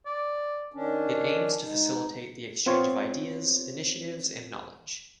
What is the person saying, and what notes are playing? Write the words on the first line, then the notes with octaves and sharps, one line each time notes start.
It aims to facilitate the exchange of ideas, initiatives and knowledge.
D5
D#3 C#4 D4
G#2 D#4
B3 C4 F4 C5 C#5